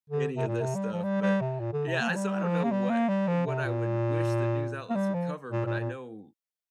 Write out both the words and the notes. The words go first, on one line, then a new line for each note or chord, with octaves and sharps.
any of this stuff, but yeah, I so I don't know what what I would wish that news outlets would cover, but I know
D3
C3
A#2
C3
G3
F3
G3
G3
C3
A#2
D3
C3
A#3
F3
G3
F3
A#3
G3
A#3
G3
F3
C3
A#2
A#3
G3
F3
A#2
A#2
A#2